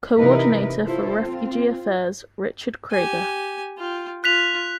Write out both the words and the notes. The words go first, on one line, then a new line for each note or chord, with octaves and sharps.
Coordinator for Refugee Affairs, Richard Krieger.
C3 E3 D#4 E4 A#4 B4
E4 F4 A4 C5
C4 F4
G4 G#5
F4 G5
F4 F#6 B6 F7